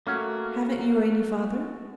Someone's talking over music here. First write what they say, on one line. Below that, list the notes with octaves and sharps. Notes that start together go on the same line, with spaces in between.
"Haven't you any father?"
A3 A#3 C#4 F#4